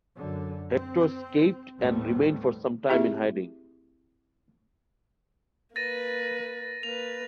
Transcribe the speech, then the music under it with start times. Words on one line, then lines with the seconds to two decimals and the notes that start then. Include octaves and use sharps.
Hector escaped and remained for some time in hiding.
0.15 F#2 D3
0.75 C4
1.80 D#2 A2 G3 A3 B3 C4
2.90 C4 E4 G4 G#4 E5
5.76 A#3 B4 A6 A#6 D#7
6.83 A#3 B4 F7